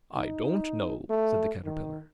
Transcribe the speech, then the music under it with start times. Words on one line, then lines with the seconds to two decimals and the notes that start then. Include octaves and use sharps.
'I DON'T know,' said the Caterpillar.
0.17 D#4
1.10 A3
1.65 D#3